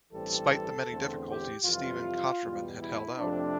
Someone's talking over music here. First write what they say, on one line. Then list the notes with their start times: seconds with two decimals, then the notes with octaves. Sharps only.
Despite the many difficulties, Stephen Kotroman had held out.
0.12 A1 G2 E3 G3 C4 A4
0.89 E2 D3 A3 C4
1.27 G4
1.64 F2 C3 E3 G3 F4
2.42 E2 B2 G3
2.80 E4
3.18 F2 C3 F3 A3 C4 D4